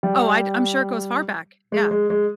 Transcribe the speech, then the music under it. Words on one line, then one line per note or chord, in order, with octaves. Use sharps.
Oh, I'd I'm sure it goes far back. Yeah.
G3
G#3
G#3
G#3